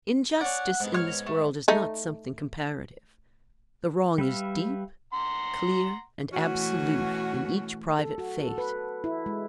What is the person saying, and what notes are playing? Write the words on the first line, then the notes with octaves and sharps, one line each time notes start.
Injustice in this world is not something comparative; the wrong is deep, clear, and absolute in each private fate.
C#4 D5 F#5
G#2 B3
C#5 F6
A3
A3 D#4
G3 B4 E5 F5
F#5 A#5 C6
B2 E3 A3 C#4 F#4
A4
F#4
A4
B4
E4
G#3